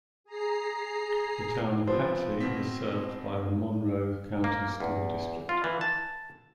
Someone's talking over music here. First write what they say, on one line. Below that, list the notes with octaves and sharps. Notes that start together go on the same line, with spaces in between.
The Town of Hatley is served by the Monroe County School District.
G#4 A#5 C7
F3 B3 C4 C5
B2 C4 B6
A#3
E2
F4
E3
A5